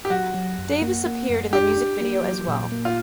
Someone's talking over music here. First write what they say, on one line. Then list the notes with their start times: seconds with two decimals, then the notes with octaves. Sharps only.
Davis appeared in the music video as well.
0.05 G4
0.10 F#3 F#4
0.34 F#3
0.58 F#2
0.82 A#3
1.06 A#3
1.29 F#2
1.53 D4 G4
1.77 D4
2.00 A#3
2.24 F#3
2.48 A#2
2.72 A#3
2.85 F4